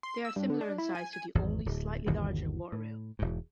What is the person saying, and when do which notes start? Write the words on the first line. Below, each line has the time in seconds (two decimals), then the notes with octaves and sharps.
They are similar in size to the only slightly larger water rail.
0.03 C6
0.25 E6
0.36 G2
0.50 D3
0.61 D4
0.78 E4
0.95 G#5
1.13 G#5
1.35 G#1 E2
1.66 D1
2.06 G1 D#2 B2 E3
2.72 A2
3.19 E1 G#2